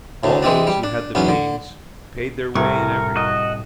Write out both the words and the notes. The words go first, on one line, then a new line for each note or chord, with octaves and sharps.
All those who had the means paid their way in everything.
D2 A2
E3 G#3 C4 D4
G3
D4
B1 E2 B3 C#4
D3
C2 A2 A#4 C#6
F#4 D#5